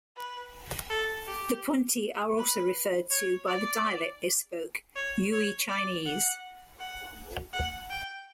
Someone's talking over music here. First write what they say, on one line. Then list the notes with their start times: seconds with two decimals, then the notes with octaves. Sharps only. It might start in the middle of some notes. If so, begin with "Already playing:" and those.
The Punti are also referred to by the dialect they spoke, Yue Chinese.
0.16 B4
0.90 A4
1.26 G4
2.38 B4
3.11 C#5
3.47 D5
4.95 C#5
5.32 C#5
5.68 D5
6.06 F#5
6.79 F#5
7.53 F#5
7.90 G5